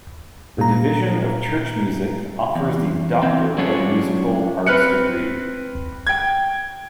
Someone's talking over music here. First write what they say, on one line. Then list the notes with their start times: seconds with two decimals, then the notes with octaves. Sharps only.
The Division of Church Music offers the Doctor of Musical Arts degree.
0.58 A#2 A#5
2.56 E2
3.23 E3 C4
3.58 F#3 C#4 D4 F4 G#4 C#5
4.66 C4 B4 F6 F#6 C#7
6.07 G5 G#6